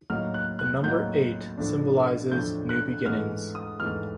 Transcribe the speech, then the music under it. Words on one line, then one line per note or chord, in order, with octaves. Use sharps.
The number eight symbolizes new beginnings.
A2 F#3 A#3 D#4 F6
F#6
F#6
A2 F#3 A#3 D#4 G6
A2 F3 A3 D4
A2 F3 A3 D4 G6
F#6
G#2 E3 A3 F6
D#6
G#2 E3 A3 F6